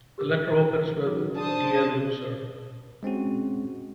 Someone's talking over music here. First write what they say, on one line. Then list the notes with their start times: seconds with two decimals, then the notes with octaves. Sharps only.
The letter opens with "Dear Loser".
0.18 G4 A#4 D6
1.06 D#3 F#3 E4 B4 D6
1.37 D4 C5 A5 D#6
3.03 G#3 C4 C#4 F#4